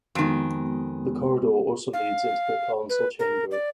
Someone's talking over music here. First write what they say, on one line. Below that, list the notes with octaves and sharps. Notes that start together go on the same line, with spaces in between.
The corridor also leads into the Council Chamber.
F2 D#3 G#3 B3 F#4
F5
B4
A#4
D5